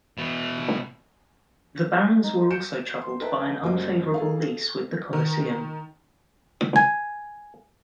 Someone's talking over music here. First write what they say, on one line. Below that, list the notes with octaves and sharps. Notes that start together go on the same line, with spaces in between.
The Barons were also troubled by an unfavorable lease with the coliseum.
B2 E4
D#4
G6 C#7 D7 E7
C6
D#4 B4 E5 G5 A5
F#1 G3 F#4 C5 D#5 D6
G#4 A4 F5
D#3
G#5